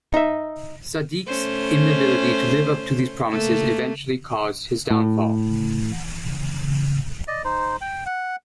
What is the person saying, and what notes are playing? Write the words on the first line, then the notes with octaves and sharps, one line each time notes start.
Sadiq's inability to live up to these promises eventually caused his downfall.
D#4 E5
A3 C#4 C5
A3 A#3
A2
D5 D#5
D#4 C5
G5
F#5